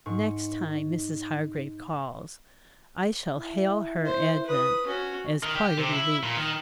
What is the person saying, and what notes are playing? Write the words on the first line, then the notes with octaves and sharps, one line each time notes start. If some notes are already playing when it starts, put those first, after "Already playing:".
Next time Mrs. Hargrave calls I shall hail her advent as quite a relief.
G#2 C#6
E4
C5
B4 D#6
C#4 F#4
D#3
G4
C3
E4
A#2
D#3